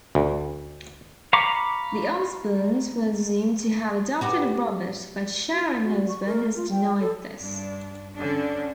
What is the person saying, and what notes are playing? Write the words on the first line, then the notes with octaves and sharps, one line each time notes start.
The Osbournes were assumed to have adopted Robert, but Sharon Osbourne has denied this.
D2
F5 A#5 B5 C#6 D6
F#4 G4 B4
F#4
E4
F#4
C#6
A#4
F4
G5
A4
G2 D4
D3 C#4 D4